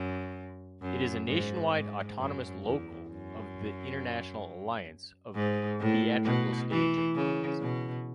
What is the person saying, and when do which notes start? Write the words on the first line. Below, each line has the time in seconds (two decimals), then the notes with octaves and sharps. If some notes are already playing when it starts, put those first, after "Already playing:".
It is a nationwide autonomous Local of the International Alliance of Theatrical Stage Employees.
Already playing: F#2
0.81 F#2
1.27 G#2
1.72 G#2
2.17 F#2
2.62 E2
3.08 F#2
5.34 G#2
5.79 A2
6.24 B2
6.70 E3
7.15 C#3
7.60 B2